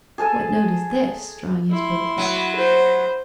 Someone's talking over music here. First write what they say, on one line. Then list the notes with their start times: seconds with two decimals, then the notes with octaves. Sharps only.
"What note is this?" drawing his bow across.
0.18 G#4 A4 G#5 A5
1.70 E4 C6
2.18 F#3 B3
2.56 C5